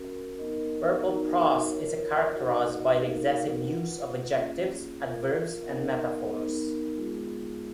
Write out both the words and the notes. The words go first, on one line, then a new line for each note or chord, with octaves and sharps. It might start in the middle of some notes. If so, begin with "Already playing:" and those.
Purple prose is characterized by the excessive use of adjectives, adverbs, and metaphors.
Already playing: C#4 F#4 A#4
B3 D#4 A#4 D#5
B3 D#4 F#4 A#4
F4 A#4 C#5
D#4 F#4 B4 D#5 F#5
A#3 D#4 F#4 A#4 F5
F4 B4 F#5
A#3 C#4 F4 G#4
F4 A#4 F5
B3 D#4 A#4 D#5 F#5
B3 D#4 A#4
G#3 B3 F4 G#4